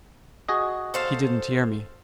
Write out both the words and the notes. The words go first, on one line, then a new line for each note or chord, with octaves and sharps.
He didn't hear me.
F#4 G#4 D#5
A4 C5 F5